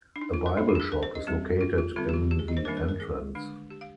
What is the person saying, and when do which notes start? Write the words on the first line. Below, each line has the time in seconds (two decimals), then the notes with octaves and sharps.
A bible shop is located in the entrance.
0.16 D4
0.21 D#4
0.34 F4
0.46 A#4
0.57 G3 D4 D#4
0.69 D4
0.75 G4
0.80 G#4
0.92 A#4
1.03 C5
1.15 D#5
1.27 G3 C4 G4
1.61 F4
1.78 F4
1.96 D3 G3 C4 F4
2.09 G4
2.14 F4
2.31 G4
2.39 G#4
2.48 D#5
2.57 C5
2.65 D#3 G3 A#3 D4 A#4
2.77 A#4
2.89 A#4
3.00 G#4
3.35 D3 G#3 D4
3.70 G4
3.81 F5